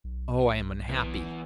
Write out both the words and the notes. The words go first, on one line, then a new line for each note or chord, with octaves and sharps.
Oh, I am unhappy!
B1
E3 B3